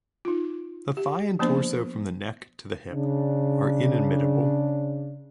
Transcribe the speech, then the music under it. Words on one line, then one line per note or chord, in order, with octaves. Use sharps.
The thigh and torso from the neck to the hip are inimitable.
D#4 F4
G4
F3 A#3 B3 D4 C5
C#3 D4